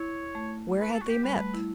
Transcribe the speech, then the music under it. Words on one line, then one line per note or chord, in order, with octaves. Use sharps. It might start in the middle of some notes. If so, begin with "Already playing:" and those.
Where had they met?
Already playing: E4 C#5
A3
B4
A4
F#4
G4
G3 B4
A3
E4